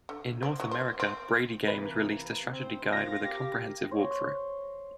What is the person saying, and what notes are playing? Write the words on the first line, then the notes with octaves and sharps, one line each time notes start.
In North America, BradyGames released a strategy guide with a comprehensive walkthrough.
D3
C4
F#3
C5
C4
C3 E3 A#3 B4
C4 C5
F4 A#4 F5 A#6
G4
C5 C#5